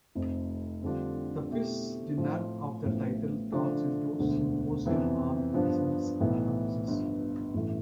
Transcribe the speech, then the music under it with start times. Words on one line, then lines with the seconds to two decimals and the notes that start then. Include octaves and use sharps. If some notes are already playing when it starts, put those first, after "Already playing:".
The fish dinner of the title turns into a symposium on Eddison's metaphysics.
0.15 F1 F2 C3
0.82 F2 D3 G3 D4 F4
1.51 B2 A3 E4 G4
2.17 A2 F3 C4 F4 C5
2.84 A1 A2 F3 B3
3.51 D3 F3 A3 D4 F4
4.19 E1 D2 D3
4.85 F2 C3 E3 B3
5.53 G2 F3 B3 D4 F4
6.20 B1 A2 E3 B3
6.88 G1 G2 F3
7.54 A1 G2 E3 A3